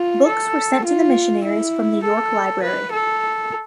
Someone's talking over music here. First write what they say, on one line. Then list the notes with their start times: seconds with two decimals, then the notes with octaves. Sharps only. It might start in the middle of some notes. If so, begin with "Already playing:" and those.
Books were sent to the missionaries from the York library.
Already playing: F4
0.26 A4
0.86 F4
1.45 E4
2.04 A4
2.63 B4
2.92 A4